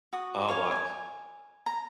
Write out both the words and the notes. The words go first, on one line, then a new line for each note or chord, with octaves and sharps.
Oh, what
F#4 D#6
C#5 F5 G#5
G#5
A#5